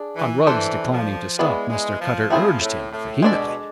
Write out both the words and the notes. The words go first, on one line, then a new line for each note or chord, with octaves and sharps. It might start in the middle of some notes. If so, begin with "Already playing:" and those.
On Rugg's declining to stop, Mr. Cutter urged him vehemently.
Already playing: D4 G#4
E3
E3 D4 A4 C5
F3
G#3 B3 E4 G#4 B4 D5
G#3
F3
F3 A3 C4 E4 G#4
A2
A2
B2 G#3 D4 A4 D5